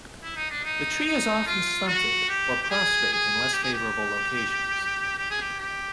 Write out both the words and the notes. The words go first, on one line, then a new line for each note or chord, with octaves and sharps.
The tree is often stunted or prostrate in less favorable locations.
E4
D#4
D4
D#4
D#4
F4
F#4
G4
G4
G#4
G#4
G4
G#4
G4
G4
G#4
G4
G4